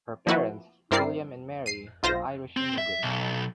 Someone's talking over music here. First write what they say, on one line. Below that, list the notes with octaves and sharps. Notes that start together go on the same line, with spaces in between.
Her parents, William and Mary, were Irish immigrants.
F3 A#3 E4 F#4 B4
G2 C4 E4 A#4 D5 C7
C7 D#7
B1 F4 C5 A#6
C4
E5
B1